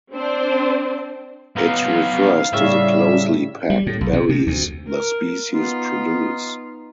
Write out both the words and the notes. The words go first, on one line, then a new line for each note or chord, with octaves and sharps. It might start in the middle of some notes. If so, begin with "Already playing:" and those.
It refers to the closely packed berries the species produce.
C4 D4 C5
B3 D#4 F5
A2 C#3 G3 E5
G3
A2
B1
C3
C3
D2
A#4
B3 D#4 F4